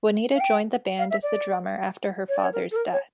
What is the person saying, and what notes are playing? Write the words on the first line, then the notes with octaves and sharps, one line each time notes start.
Juanita joined the band as the drummer after her father's death.
F5
G5
F5
E5
D5
C#5
D5
C#5
A#4
A4
A#4
C#5